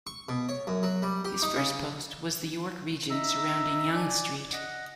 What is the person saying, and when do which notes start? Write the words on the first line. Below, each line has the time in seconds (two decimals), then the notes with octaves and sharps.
His first post was the York region surrounding Yonge Street.
0.07 C#6
0.29 B2
0.49 C#5
0.67 F#2
0.83 F#3
1.02 G3
1.25 G4
1.42 D#4
1.56 C#3
3.10 D#4 E5 A#5 E6
3.95 D5 G#5
4.53 D#5 F#5